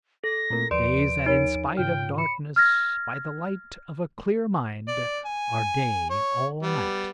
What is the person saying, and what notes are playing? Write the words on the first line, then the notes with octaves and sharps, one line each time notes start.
Days, that in spite Of darkness, by the light Of a clear mind are day all night.
A4 A#6
A#2 A3 C4 E4 A#4
D#2 F3 B4 D5 C6 D7
D#4 A#4 C#5 B5
G#2 C#3 F4 G5 F6
B5 C#7
F6 G#6 A#6
D5
G#5
C#5
G3 B3